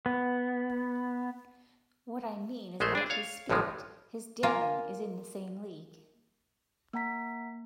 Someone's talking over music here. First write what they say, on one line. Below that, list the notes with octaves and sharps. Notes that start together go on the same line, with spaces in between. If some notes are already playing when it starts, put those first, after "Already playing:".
What I mean is that his spirit, his daring, is in the same league.
B3
A#1 G#3 A3 C5
D4 G#4
C#5 F5
A1 G2 D3 F3 G#3
A#3 F4 G#5
A#3 F#5 A#5 B6